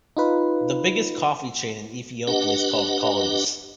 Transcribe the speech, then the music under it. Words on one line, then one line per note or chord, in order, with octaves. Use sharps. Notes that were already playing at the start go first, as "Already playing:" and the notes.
The biggest coffee chain in Ethiopia is called Kaldi's.
D#4 F4 B4
D4 G4 B4 D#5 F#5